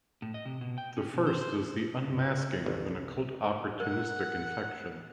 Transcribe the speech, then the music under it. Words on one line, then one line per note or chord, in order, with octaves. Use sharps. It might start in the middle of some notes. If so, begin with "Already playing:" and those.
The first is the "unmasking" of an occult opportunistic infection.
A2
D#5
C3
B2
G5
C#4
B2
C5
C5
G2
G1 C2
A#4 F#5